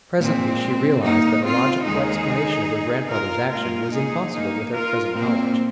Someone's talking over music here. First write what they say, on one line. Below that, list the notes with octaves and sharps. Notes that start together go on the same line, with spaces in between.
Presently she realized that a logical explanation of her grandfather's action was impossible with her present knowledge.
A#2 G#3 C4
A#3 D#4
C4 F4
D#2 D#3 G#3 D#4 G#4
F4 A#4
A#2 G#3 F4 A#4
D#4 G#4
A#3 D#4
F4 A#4
A#2 A#3 C4